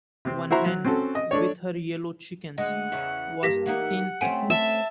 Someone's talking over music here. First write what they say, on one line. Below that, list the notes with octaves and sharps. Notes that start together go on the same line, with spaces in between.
One hen, with her yellow chickens, was in a coop.
C3 C4
E4 F#4 C5 E5 A#5 C6
F#3
C4 C#4 F#4 A4
D#5
A3 D4 C#5
D2 G#3 D#5 F#5
E2 C#3 E3
G2 A#3 G4 A#6 B6
E3 A#3 D#4 F#5
A3 C4 C#4 F#5 G#5 D7
E5 A5 E7